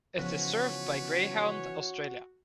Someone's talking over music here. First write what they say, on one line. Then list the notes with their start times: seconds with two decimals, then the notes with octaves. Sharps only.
It is served by Greyhound Australia.
0.18 C#3 E3 F3 B3 C#4 F#4 B4 C#5